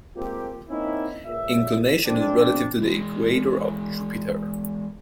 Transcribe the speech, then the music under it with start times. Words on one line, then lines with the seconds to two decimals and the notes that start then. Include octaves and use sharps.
Inclination is relative to the equator of Jupiter.
0.16 G#3 A#3 C4 F4 G4
0.70 A#3 C4 C#4 D#4 E4
1.25 C#2 A#2 E5
2.06 F3 G#3 C4 D4
2.82 E3 G#3